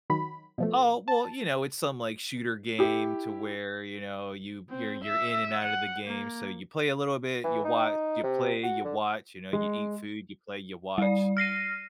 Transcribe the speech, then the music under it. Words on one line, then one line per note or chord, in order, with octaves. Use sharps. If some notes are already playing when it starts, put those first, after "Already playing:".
Oh, well, you know, it's some, like, shooter game to where, you know, you you're you're in and outta the game, so you play a little bit, you watch, you play, you watch, you know, you eat food, you play, you watch.
D#3 F#3 B5
B2 F3 A3
A5
E4 G4
C4
E5
F#5
A#3
E3
D#4
C3
F#4
D3
G#3
G3 D5
F6 A#6 C7 D#7